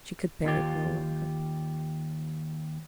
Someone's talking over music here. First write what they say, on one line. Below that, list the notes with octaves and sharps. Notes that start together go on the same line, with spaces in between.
She could bear it no longer.
D#2 F4 G4